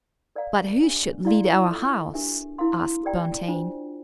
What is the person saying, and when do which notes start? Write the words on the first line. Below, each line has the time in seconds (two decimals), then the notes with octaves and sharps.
"But who should lead our House?" asked Bonteen.
0.36 A#4 D5 F5 A#5
0.81 D4 G4 A#4
1.25 E4 A#4 D5 F5 C6
1.69 F4 A4 E5 A5
2.14 D4 G4 A#4 E5
2.58 E4 A#4 F5 C6
3.03 G4 A#4 D5 G5 A#5
3.48 D4 F4 C5